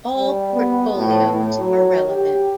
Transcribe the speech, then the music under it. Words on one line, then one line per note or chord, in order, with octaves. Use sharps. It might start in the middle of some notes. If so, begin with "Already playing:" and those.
All Portfolios are relevant.
G3
B3
A2
A2
F#3
G4